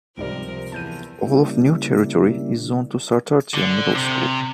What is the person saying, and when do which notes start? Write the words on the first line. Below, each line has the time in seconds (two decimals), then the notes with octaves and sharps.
All of New Territory is zoned to Sartartia Middle School.
0.17 C#2 G#2 C3 F3 G3 A#4
0.72 E2 A5 G6 D#7
1.27 C#3 G3 A#3 D4 E4
3.54 D3
3.95 C3